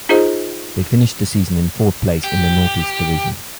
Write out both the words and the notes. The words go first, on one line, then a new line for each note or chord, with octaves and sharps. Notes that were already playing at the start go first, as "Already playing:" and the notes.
They finished the season in fourth place in the "Northeast Division".
D#4 F4 G#4 C5 D#5
G4